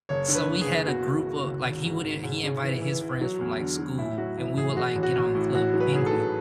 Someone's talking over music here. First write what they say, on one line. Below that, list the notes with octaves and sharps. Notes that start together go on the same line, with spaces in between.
so we had a group of like, he would i he invited his friends from, like, school, and we would, like, get on Club Penguin,
F#1 C#5
D3
B4
F#1
G#4
F#1
B2 F#4
C#2
C#2
C#2
G#1
G#2
G#1
G#2
C#3
E3
E3
E3
F#3
E2
D3
F#3
A2 E4
F#3 F#4
A1 E4
A1 G#4
A1 F#4
A1
F#4
A1
A2
A1 F#4
F#3
B4
G#2 G#4
A4
F#3